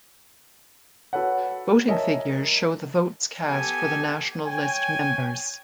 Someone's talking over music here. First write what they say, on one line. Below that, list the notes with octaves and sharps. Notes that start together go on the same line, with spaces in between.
Voting figures show the votes cast for the national list members.
F#4 A4 B4 C#5 F#5
A#4 C#5 D#5 E5 G#5 A5
B3 G4 A4 G#5
C#5 G5 G#5